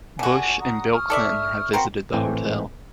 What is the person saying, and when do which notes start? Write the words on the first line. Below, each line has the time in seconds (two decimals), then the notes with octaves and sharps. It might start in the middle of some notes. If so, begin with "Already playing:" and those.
Bush, and Bill Clinton have visited the hotel.
0.19 D3 F#4 F#5 G#5
0.60 F#5 A#5 D#6
0.93 C#6 D#6 F6
1.10 A4 D5 E5
1.73 C4 F#4 A#4 F#5 B5 C6
2.13 A2 E3 C4 G5 G#5